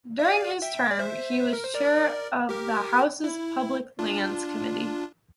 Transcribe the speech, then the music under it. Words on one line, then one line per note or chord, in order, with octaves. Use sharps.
During his term, he was chair of the House's Public Lands Committee.
E5
D5 F5
E5 G5
D5
C5 E5
A#4
C5
A#4 D5
G4 A#4
E4
D4 F4